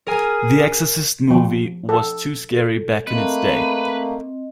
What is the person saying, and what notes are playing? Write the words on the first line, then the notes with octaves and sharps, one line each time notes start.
The Exorcist movie was too scary back in its day.
G#4 A#4 G#5 F6
F3
A4
A4
A3 A#3 C4 B4 D#5